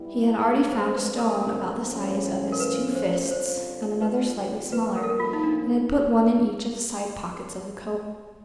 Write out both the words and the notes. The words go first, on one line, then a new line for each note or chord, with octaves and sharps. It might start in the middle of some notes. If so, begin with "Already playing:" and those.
He had already found a stone about the size of his two fists, and another slightly smaller, and had put one in each of the side pockets of the coat.
Already playing: G3 B3 E4
F2 D3 G3 C4 G#4
C5
B4
A#4
A4
A#4
A2 F3 A3 C#4
A#4
B4
C5
C#5
D3 G3 C4 F4 C5
B4
A2 F3 A#3 C#4 B4
A#4
A4
A#4
F4
D#4
D4